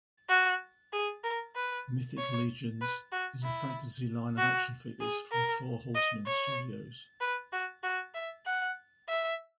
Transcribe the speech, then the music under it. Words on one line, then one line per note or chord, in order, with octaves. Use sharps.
Mythic Legions is a fantasy line of action figures from Four Horsemen Studios.
F#4
G#4
A#4
B4
C#5
B4
F#4
E4
F#4
G#4
A#4
D#5
C#5
B4
F#4
F#4
E5
F#5
E5